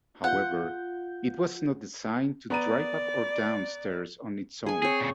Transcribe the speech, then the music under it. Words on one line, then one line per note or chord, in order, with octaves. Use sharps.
However, it was not designed to drive up or down stairs on its own.
F4 F#5 G6
B3 D5 A#5 D#7
G#4 G#5
C4 G#4 C#5
A#2 C#3